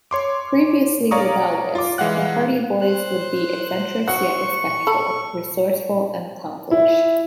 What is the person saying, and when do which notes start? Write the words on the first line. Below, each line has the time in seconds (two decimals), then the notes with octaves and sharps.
Previously rebellious, the Hardy Boys would be adventurous yet respectful, resourceful and accomplished.
0.11 C#5 C6 D6
1.11 C#5 D5 F5 A#5 C#6 D#6
1.75 F4 D6
1.98 E3 G#3 F5 F#5 F#6
2.81 C5 F#6
4.08 F#3 F#4 F#5 C#6
4.87 A4 A5 B5
6.71 E4